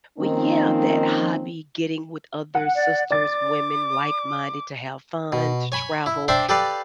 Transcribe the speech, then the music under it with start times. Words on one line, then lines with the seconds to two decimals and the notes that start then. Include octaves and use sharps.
But, yeah, that hobby, getting with other sisters, women, like-minded, to have fun, to travel,
0.19 D#3 F3 A#3 C4 C#4 D#4
2.55 F#5
2.75 D5
3.11 D5 D6 A6
5.32 B2
5.72 C#5 G#5 B5
6.06 E4
6.28 D4 C5 D5 E5 G5
6.49 G4 A4 B4 D5 F5